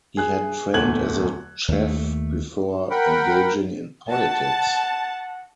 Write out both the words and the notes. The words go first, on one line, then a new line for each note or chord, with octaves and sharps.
He had trained as a chef before engaging in politics.
G#4 F#6
D1 E2 A3 F#6 G#6 F#7
D#2 A3
A#4 F#5 G5 B5
F#5 A5